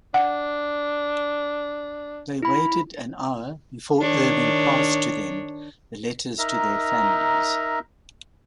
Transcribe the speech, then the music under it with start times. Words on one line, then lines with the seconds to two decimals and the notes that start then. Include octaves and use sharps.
They waited an hour before Irving passed to them the letters to their families.
0.14 D4 F#5
2.42 E4 B5
3.99 D#3 D4 C#5
6.38 D#4 A#4 E5 A#5